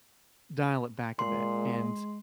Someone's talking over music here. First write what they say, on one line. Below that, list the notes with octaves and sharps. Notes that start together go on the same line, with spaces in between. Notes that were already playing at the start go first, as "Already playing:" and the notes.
dial it back a bit." And
A#2 G#3 C6